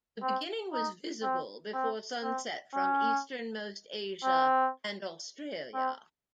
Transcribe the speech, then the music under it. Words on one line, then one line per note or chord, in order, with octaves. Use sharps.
The beginning was visible before sunset from easternmost Asia and Australia.
C4
D#4
C4
C4
C4
C#4
C4
C4